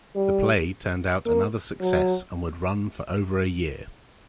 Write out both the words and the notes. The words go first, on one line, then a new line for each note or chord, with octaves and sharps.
The play turned out another success and would run for over a year.
G3
A#3
F#3